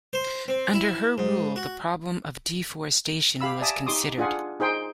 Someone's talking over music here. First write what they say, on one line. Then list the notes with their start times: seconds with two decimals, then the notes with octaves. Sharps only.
Under her rule the problem of deforestation was considered.
0.13 C5
0.48 C4
0.73 E4
1.18 G#2
1.56 F#4
3.41 G4 F5 B5 E6
3.61 D5 E5 G#5 A5 D#6
3.86 D#4 G4 C6 D6 D#6
4.18 D4 F4 G#4 F#5 G#5
4.60 D#4 G#4 C5 G5 C6